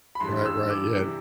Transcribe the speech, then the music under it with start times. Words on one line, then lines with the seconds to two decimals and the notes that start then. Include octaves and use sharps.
Right, right, yeah,
0.15 B5
0.20 G2 E3 G3 C6
0.45 E6
0.70 D6
0.96 C3 E3 G3